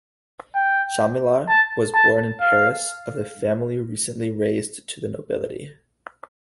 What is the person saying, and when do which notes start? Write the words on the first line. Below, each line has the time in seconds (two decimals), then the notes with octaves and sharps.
Chamillart was born in Paris of a family recently raised to the nobility.
0.55 G5
1.48 A5
1.95 A5
2.41 F5